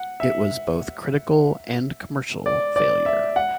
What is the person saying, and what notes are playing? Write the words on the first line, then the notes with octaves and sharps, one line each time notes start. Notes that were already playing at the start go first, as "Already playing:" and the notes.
It was both critical and commercial failure.
Already playing: F#5
E5
D5
D5
E5
F#5